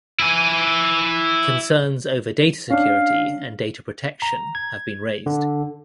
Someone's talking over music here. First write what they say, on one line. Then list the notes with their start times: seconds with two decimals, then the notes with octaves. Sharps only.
Concerns over data security and data protection have been raised.
0.19 E4 G#5
2.71 C#4 D4 F5
4.22 A#5
4.55 G#6
5.26 D3